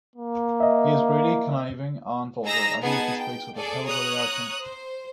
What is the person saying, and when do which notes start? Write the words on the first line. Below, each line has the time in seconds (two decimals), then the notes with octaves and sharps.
He is greedy, conniving, and vulgar, and usually speaks with a hillbilly accent.
0.15 A#3
0.60 D#5 E5
2.43 D#4 G#4 A#5 E6 A#6
2.81 B3 D#4 G#4 F#5 A5 G#6
3.18 G5
3.56 G#4 A4 D5
3.85 C#5 A#5 D#6 F#6
4.60 C5